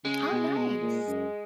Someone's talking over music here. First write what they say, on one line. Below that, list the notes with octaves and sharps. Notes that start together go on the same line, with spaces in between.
Oh, nice.
C#3 G#3
B2
C#3
B2
A#2
F#2